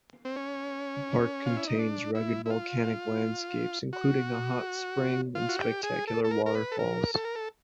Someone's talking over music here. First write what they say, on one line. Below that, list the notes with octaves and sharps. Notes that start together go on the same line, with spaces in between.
The park contains rugged volcanic landscapes including a hot spring and spectacular waterfalls.
C4
C#4
F4
E4
D#4
D4
E4
E4
F4
F#4
F4
F#4
G4
G#4
A4
A4
A#4
A#4
B4
A4
A#4
A4
A#4
A4